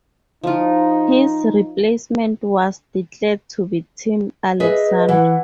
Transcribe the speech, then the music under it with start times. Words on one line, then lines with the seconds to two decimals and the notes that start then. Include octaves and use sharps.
His replacement was declared to be Tim Alexander.
0.44 F3 D#4 F4
4.60 G#4 B4 D#5 E5
5.08 E3 F#5